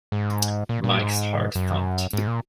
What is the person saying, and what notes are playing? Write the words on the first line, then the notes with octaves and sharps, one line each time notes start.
Mike's heart thumped.
G#2
A#2
A#2
G#2
F#2
G#2
A#2